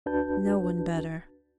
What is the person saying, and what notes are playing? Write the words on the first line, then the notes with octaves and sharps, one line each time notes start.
No one better.
D2 D4 F#4 B4 A5 G6